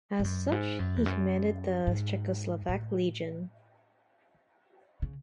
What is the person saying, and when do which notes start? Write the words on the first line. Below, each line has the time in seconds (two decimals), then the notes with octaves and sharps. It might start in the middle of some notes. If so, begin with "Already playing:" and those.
As such, he commanded the Czechoslovak Legion.
0.19 G#2
0.24 F#2
0.52 G#2
0.79 F#2
0.96 E2
1.06 F#2
1.87 G#2
2.69 A2
5.02 C#3